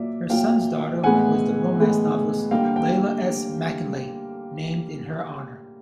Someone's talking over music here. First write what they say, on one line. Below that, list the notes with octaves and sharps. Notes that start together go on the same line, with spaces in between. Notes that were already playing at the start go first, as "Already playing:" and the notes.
Her son's daughter was the romance novelist Leila S. Mackinlay, named in her honour.
Already playing: A#2 F#3 A#3 D5 E5
A#2 F#3 A#3 F5 G5
A2 E3 G#3 B3 F#5 G#5
A2 E3 G#3 B3
D3 G3 A#3 F5 G5
F5 G5